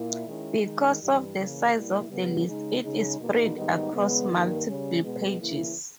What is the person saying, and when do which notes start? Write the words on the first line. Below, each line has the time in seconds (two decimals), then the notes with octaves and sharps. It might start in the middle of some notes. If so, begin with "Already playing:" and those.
Because of the size of the list, it is spread across multiple pages.
Already playing: A#2 A#3 E4
0.26 D#3 G#3 C#4 E4
0.62 D#3 G#3 D#4
0.99 G2 E3 G3
1.36 C#3 E3 A#3
1.72 B2 G3 A#3 E4
2.09 C#3 G3 B3
2.46 C#3 G#3 D#4
2.82 C#3 G#3 D#4
3.19 E2 B2 A#3 D#4
3.55 G#2 D#3 G3 B3 D#4
3.92 E2 C#3 G#3 B3
4.29 G2 D#3 A#3
4.65 C#3 G3 C#4
5.02 B2 G#3 B3
5.39 C#3 E3 A#3 E4